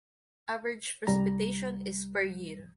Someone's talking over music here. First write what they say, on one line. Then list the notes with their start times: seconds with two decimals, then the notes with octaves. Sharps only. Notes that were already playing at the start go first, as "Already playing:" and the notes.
Average precipitation is per year.
1.07 C2 G3 A#5